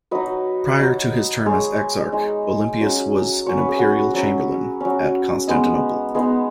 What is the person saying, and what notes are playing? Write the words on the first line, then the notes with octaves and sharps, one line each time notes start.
Prior to his term as exarch, Olympius was an imperial chamberlain at Constantinople.
F#3 D#4 B4 D#5
F#3 D#4
G#3 D#4 G#4 C#5
G#3 D#4
F#3 C#4
F#3 C#4 C#5
B4
G#4
F#4 B4
F#3 C#4
F#3 C#4
G#3 B3 D#4
G#3 B3 D#4 G#4